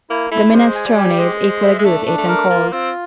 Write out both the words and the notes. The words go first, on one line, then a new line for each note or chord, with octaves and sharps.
The minestrone is equally good eaten cold.
A#3 E4
A3 E4
G#3 C5
G#5
G3
G4
G#3 C5
C5
E5
G#3
A3 D4
D4
A3
A#4
A#3 F4
C4 F4